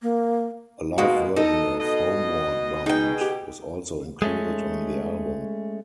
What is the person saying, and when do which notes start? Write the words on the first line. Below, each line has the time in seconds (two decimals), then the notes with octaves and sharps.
A live version of "Homeward Bound" was also included on the album.
0.02 A#3
0.98 B2 G#3 A#3 F#4
1.36 B2 D#4 A4 D#5
1.80 B2 D#5
2.86 B2 D#4 G#4 G5
3.21 G4
4.22 G#3 A3 C#4